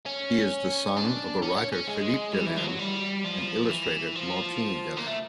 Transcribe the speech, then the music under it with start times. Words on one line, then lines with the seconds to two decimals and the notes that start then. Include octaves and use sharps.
He is the son of the writer Philippe Delerm and illustrator Martine Delerm.
0.06 C#4
0.96 D4
1.42 C#4
1.57 C#4
1.72 C#4
1.87 G#3
2.33 G3
2.46 E3
2.57 F3
2.68 F#3
2.79 G3
3.24 F3
3.69 E3
4.15 F3
4.97 A#3
5.06 A3